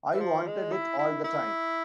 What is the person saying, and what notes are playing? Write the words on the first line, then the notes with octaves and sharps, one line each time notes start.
I wanted it all the time.
E3
F3
G#3
E4
E4
E4